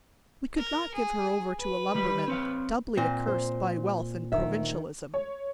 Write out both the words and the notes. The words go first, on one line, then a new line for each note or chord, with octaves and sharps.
We could not give her over to a lumberman, doubly accursed by wealth and provincialism.
A#4
G#4
B4
D#3 G3 B5
C4 C#5 F5
A#2 C4
C5
D2 D#3 E5
C#5